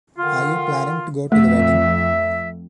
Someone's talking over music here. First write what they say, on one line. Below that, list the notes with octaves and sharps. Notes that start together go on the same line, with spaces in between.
Are you planning to go to the wedding?
D3 D#3 F4
F2 A3 E5